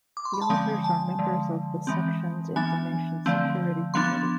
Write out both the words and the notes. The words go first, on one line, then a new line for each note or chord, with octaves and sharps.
The authors are members of the Section's Information Security Committee.
D6
C6
B5
A5
D3 F3 G#3 C4 G#5
A5
D3 F3 G#3
E3 G#3 C4
E3 B3 D4 G#5
D3 F3 A3 C4
F3 B3 D4 C6